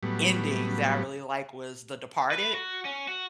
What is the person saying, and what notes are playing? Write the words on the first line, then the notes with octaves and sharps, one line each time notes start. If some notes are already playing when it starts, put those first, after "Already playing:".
ending that I really like was The Departed.
A2 F#3 G3 B3
B4
F#4
C#4
F#4